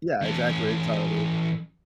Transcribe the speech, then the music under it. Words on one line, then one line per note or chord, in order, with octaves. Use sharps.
Yeah, exactly, it's already
E3 C#4